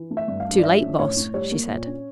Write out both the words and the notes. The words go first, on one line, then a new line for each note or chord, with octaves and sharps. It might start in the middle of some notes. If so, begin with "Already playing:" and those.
"Too late, Boss," she said.
Already playing: E3
A3
E5
G2
F5
D4
D5
F3 E5
C#4
A2 C#5
A2
G3 C#5
A#3
A#2
C#4